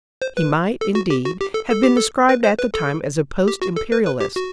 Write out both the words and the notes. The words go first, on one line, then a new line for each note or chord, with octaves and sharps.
He might, indeed, have been described at the time as a Post-Imperialist.
C5
B4
A4
F#4
G4
F#4
G4
A4
A4
G4
A4
B4
C5
B4
A4
G4
F#4
A4
B4
B4
G4
F#4